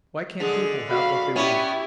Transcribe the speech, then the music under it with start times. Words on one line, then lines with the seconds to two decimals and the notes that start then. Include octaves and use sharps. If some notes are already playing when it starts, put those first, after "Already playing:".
Why can't people have what they want?
0.40 D3 G#3 G#4
0.90 F#4 F5 B5
1.36 B3 C#4 E4 G4 C#6